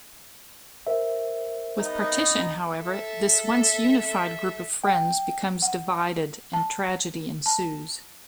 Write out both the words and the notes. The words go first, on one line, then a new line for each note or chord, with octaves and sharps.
With partition, however, this once unified group of friends becomes divided and tragedy ensues.
A#4 C5 E5
B3 D#4
A4 E5
G5
F#5
A5
A5